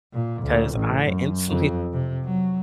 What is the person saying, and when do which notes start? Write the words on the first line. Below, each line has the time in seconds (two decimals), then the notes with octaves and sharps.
'cause I instantly
0.13 A#2
0.43 D2
0.73 A1
1.05 F#2
1.48 F2
1.93 C3
2.24 F#3